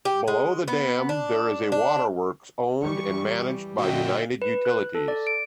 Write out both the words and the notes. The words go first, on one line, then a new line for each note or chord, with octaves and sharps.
Below the dam there is a waterworks owned and managed by United Utilities.
G4
G#3
B3
D4
D4
E3 G3 C#6
A#2 D3 F#4 D#5 E5 G5
B4
F#6
A4
D5
D7